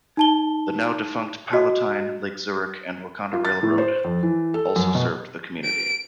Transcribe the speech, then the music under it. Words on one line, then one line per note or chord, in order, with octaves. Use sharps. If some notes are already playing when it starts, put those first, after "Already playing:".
The now-defunct Palatine, Lake Zurich and Wauconda Railroad also served the community.
D#4 A5 G7
F#4 D#5
F4
A6
A2
C5
F2
E3
A4
F#2
B2
D7